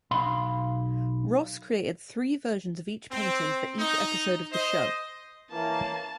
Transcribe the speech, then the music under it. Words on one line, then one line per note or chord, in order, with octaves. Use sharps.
Ross created three versions of each painting for each episode of the show.
B1 F5 B5 C6
C4
D#4
C5 D#5
E3 A#3 C#4 A#4 A5